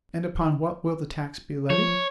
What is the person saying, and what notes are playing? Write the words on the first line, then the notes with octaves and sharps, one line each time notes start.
And upon what will the tax be levied?
F3 C#5